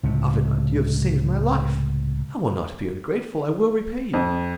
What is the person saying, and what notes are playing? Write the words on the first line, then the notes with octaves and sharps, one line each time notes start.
"Avenant you have saved my life, I will not be ungrateful, I will repay you."
C#2 A2 C3
F2